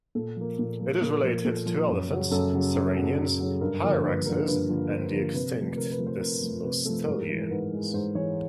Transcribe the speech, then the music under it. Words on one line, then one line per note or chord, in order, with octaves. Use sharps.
It is related to elephants, sirenians, hyraxes and the extinct desmostylians.
A#2 A4
F3 A#3
A#2
F3 A#3
A#2 A#4
F3 A#3
A#2 A4
F3 A#3
F#2
C#3 F#3
F#2 A4
C#3 F#3
F#2
C#3 F#3
F#2
C#3 F#3
G2 A#4
D3 F3 A#3
G2 B4
D3 F3 A#3 A#4
G2 B4
D3 F3 A#3
G2 C5
D3 F3 A#3
C3 B4
F3 A3
C3 A#4
B4
F3 A3
C5
C3 A#4
F3 A3
C3 B4
F3 A3 A4
G#2 A#4
E3 G#3
A#4
G#2 B4
E3 G#3
G#2 C5
E3 G#3 C#5